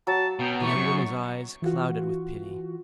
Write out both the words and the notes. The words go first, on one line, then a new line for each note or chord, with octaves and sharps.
The young woman’s eyes clouded with pity.
F#3 A5
B2 G5
E3 A3 C#6
F#2
E3 F4 F#4